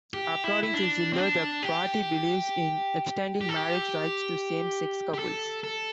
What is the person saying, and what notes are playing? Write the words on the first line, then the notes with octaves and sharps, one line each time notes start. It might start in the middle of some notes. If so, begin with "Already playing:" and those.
According to Ziller, the party believes in extending marriage rights to same-sex couples.
G4
E4
E4
D4
C4
D4
G4
G4
A4
G4
G4
A4
A4